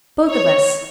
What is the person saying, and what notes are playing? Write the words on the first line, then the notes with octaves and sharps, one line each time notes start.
'Both of us.
C#5